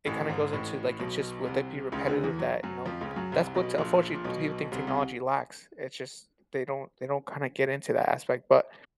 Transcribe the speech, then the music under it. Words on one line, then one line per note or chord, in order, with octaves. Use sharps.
it kinda goes into, like, it's just would they be repetitive that you know, that's what, unfortunately, people think technology lacks. It's just they don't they don't kinda get into that aspect. But,
A1 A2
G#1 G#2
A1 A2
B1 B2
C2 C3
C#2 C#3
D2 D3
E2 E3
F#3
F#2 F#3
F2 F3
C#2 C#3
F#2 F#3
C2 C3
B1 B2
A#1 A#2
A#2
B1 B2
C2 C3
C2 C3